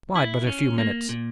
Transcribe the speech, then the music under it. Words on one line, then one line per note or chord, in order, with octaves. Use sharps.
Bide but a few minutes.
E4
C#4
A#3
A#2